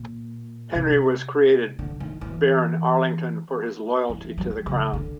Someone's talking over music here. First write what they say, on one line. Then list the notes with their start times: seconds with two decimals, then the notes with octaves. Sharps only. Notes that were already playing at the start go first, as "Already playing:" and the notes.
Henry was created Baron Arlington for his loyalty to the crown.
Already playing: A#2
0.75 C3
1.79 D3
2.00 D#3
2.21 E3
4.10 E3
4.38 F#3
4.66 C#3
4.93 D3